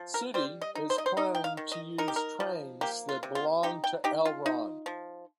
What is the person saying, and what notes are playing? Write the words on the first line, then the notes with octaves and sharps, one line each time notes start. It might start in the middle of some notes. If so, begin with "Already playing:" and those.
City is planning to use trains that belong to Elron.
Already playing: F3
A#4
G3 C5
D#5
D#4
C5
D#5
C5
D#4 D#5
G5
F5
D#3
D#5
D#4 A#4
G4
A#4
F3
A#3 G4
F4
C3
F4
D#4 G4
G5
D#4 G4
F4
D#4
F3